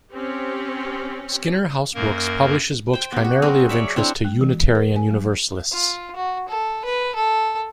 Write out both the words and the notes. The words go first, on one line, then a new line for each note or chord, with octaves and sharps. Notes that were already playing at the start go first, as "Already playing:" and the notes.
Skinner House Books publishes books primarily of interest to Unitarian Universalists.
C4 C#4 G4
F#2 A#3 A#4
C5 G5
B3 G4
F#4
F#3 C4 G#4 A#4
C#5 D5 E5
C4 D4 E4 C#5
G#3
E3
A#4
G#5
F#3
F4
F#4
A4
B4
A4